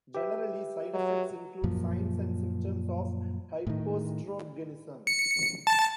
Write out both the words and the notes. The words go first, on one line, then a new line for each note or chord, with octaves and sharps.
Generally, side effects include signs and symptoms of hypoestrogenism.
G4 B4 E5
F#3
F#2 A#2 F3
A2 D#3
C#7
A5